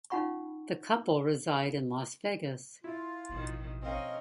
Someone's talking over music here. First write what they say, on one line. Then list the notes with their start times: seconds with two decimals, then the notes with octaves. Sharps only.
The couple reside in Las Vegas.
0.10 C#4 D#4 F4 F#5 B5 C#6
2.84 E4 F4
3.29 A1 B2 D#3 F3
3.82 C4 C#4 A#4 D#5 F5